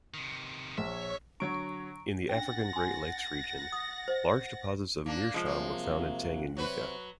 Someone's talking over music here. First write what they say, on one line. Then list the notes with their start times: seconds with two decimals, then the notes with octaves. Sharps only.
In the African Great Lakes region, large deposits of meerschaum were found in Tanganyika.
0.14 C3 D#3
0.78 A#1 C#5 E5 C#6
1.40 D3 F#3 C#5 A#5 C#6 D7
2.29 C#4 D4 F#5 A6 A#6
2.73 G#5 C6
3.72 D#6
4.08 C5 D#5
5.06 A#3 D4
5.34 F3 G#3
5.46 C3 F#3 A#3
6.57 C3 F#3 F#4 B4 C5